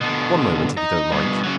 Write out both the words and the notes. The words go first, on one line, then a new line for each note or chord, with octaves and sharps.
"One moment, if you don't mind."
B2 D3
D#5 A#5
G2 B2
C#3 F#3